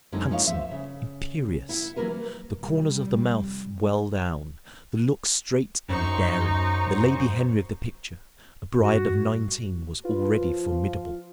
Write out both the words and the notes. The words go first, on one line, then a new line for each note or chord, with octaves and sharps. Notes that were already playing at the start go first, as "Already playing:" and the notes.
Handsome, imperious, the corners of the mouth well down, the look straight and daring--the Lady Henry of the picture, a bride of nineteen, was already formidable.
F#2 D3 G#3 C4 D#4
D#2 F3 D#4 C#5 D#5 F5
C5 E5
C#3
E4 F#5
E3 F#3 G#3 A#3 A#4 B4
F1 G3
F#2 D#4 C5 C#6
G2 F#4
F4 B4
F3